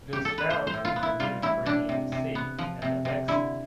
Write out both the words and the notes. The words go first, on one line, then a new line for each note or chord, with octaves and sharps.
It is found in the Mediterranean Sea and the Black Sea.
G4
A4
B4
A2 C5
C5
A2
F4
B3
E4
G3 F4
A2 E4
A2 D4
C3
C3
B3
F3
C3
C3
D3 E4